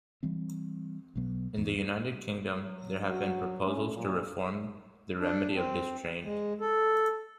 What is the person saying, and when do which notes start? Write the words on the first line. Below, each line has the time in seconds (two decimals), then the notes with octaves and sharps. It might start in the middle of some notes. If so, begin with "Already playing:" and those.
In the United Kingdom, there have been proposals to reform the remedy of distraint.
0.23 E3 G3 C4
1.16 B1 B2 F#3 B3
1.58 E2 G#2
2.64 F#3
3.10 F#4
3.66 A3 C#4
3.96 A#2 F#3
5.19 D4
5.54 C4
6.23 G#3
6.60 A4